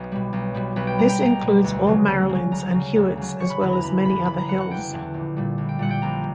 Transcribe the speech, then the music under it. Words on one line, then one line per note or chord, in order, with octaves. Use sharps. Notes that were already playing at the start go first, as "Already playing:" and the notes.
This includes all Marilyns and Hewitts as well as many other hills.
Already playing: B1
B2 G3
B1
B2 G3
B1 B4
G5
B2 G3 A#5
G5
B1 A#5
B2 G3
D2
C#3 F#3
D2
C#3
F#3
D2 A#5
C#3 F#3
D2
C#3 F#3
F#1 C#6
B5
E2 D3 B5
A#5
F#1 B5
E2 D3 B5
F#1 B5
A#5
E2 D3 F#5
F#5
F#1 G5
E2 D3
A#1
A#2 G3
A#1
G5
A#2 G3 F#5
G5
A#1 A#5